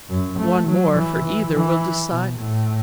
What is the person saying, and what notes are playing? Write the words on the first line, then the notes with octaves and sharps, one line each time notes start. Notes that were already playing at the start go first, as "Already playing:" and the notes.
One more for either will decide it.
F#2
A3
F#3
E3
E3
E3
B2
A2